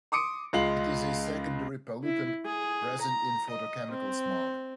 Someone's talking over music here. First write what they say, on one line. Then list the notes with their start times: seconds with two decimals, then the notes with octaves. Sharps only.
It is a secondary pollutant present in photochemical smog.
0.12 C6 D6 D#6 C#7 D7
0.53 C#2 G#3 F4 C7 F#7
2.04 E4
2.45 G#4
3.01 A#5
3.50 D#5
3.91 C4